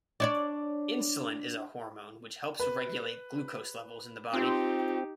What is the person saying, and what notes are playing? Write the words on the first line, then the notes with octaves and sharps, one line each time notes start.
Insulin is a hormone which helps regulate glucose levels in the body.
D4 C#5 D5
B4
C4 D#4 F4 G4